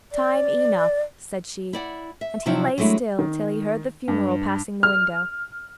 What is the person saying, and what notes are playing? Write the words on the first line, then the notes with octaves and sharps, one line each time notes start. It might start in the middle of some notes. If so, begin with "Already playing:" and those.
'Time enough,' said she, and he lay still till he heard the funeral passing the window.
D5
E4 D5 F#5
E5
C3 F3 F#3 C4 E4
F#3 G#3 A3 D4 E4
D#3
G2
F6